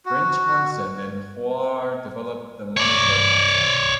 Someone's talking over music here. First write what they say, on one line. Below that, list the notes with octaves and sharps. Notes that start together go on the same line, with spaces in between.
Brinch Hansen and Hoare developed the monitor concept.
F#4
C#5 D5